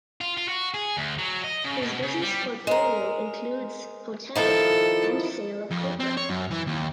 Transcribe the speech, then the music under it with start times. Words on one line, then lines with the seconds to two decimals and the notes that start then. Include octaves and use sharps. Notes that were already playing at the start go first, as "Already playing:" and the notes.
His business portfolio includes hotel and sale of copra.
0.21 F4
0.37 F4
0.49 F#4
0.74 G#4
0.97 D2
1.19 F#3
1.44 D#5
1.64 C#3
1.82 B2
2.02 C#3
2.22 G3
2.67 G#3 A#4
4.35 D#3 F3 E4 A4
5.70 F2
6.00 C4
6.17 C#5
6.30 F#2
6.51 E3
6.67 D#2